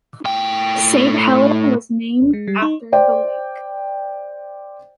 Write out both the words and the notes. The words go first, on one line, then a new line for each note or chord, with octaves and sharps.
Saint Helen was named after the lake.
A2 G5
G#1
G#3
G3
D#4
C5 D5 G5